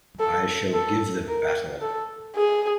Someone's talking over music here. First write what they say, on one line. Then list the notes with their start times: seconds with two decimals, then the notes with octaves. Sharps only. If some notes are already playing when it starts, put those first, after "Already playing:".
I shall give them battle.
0.19 A4
0.74 A4
1.28 A#4
1.81 A4
2.36 G#4